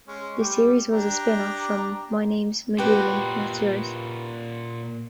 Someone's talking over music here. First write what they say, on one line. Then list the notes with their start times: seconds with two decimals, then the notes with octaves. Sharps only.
The series was a spin-off from My Name's McGooley, What's Yours?
0.08 G#3 C#4
0.38 G3 G4
0.92 D4 G4 A#5
2.78 A#2 F#4 G4 B4